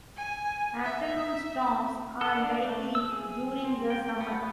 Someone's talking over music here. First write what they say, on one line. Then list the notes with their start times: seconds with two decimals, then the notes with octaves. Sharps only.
Afternoon storms are likely during the summer.
0.16 G#5
0.84 E5
2.21 A4
2.36 D4
2.65 A3
2.95 E6
3.11 G#4
3.64 C4
3.90 G5
4.20 B3